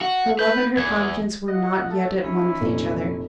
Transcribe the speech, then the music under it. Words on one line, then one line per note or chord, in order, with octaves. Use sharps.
Her love and her conscience were not yet at one with each other.
F#4
B4 G6
E2 G#6
F4 D#5 F#5
A3 A5
C#4 D#4 E4
F1 F2 A#2